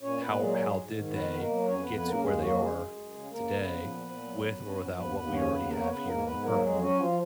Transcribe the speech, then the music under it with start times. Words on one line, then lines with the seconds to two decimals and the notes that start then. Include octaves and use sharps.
how ar how did they get to where they are today with or without what we already have here on Earth?
0.02 A#2 C#4 C#5
0.21 A#2 B3 B4
0.39 F#3 G#3 G#4
0.58 G#2 G#3 G#4
0.76 G#2
0.95 D#3
1.12 B2 B3 B4
1.32 B2
1.41 A#3 A#4
1.50 F#3
1.68 F2 C#4 C#5
1.81 F2 B3 B4
1.95 B3 B4
2.05 C#3 A#3 A#4
2.22 D#2 G#3 G#4
2.41 F#3 A#3 F#4
2.59 C#3 G#3 G#4
2.78 F#2
2.96 F#2
3.14 C#3
3.32 C#3 A#3 A#4
3.51 C#3
3.61 B3 B4
3.69 F3
3.88 A#2
4.06 A#2
4.24 F#3
4.43 F#2
4.61 C#4
4.79 F3
4.97 D#2 B3 B4
5.16 D#2 B3 B4
5.34 C#3 C#4 C#5
5.52 D#2 B3 B4
5.70 A#3 B3 A#4
5.80 C#5
5.89 C#3 B3 B4
6.08 G#2 A#3 A#4
6.26 G#2 B3 B4
6.44 F#3 A#3 A#4
6.62 F2 G#3 G#4
6.80 F#3 C#4 F#4
6.99 F3 F4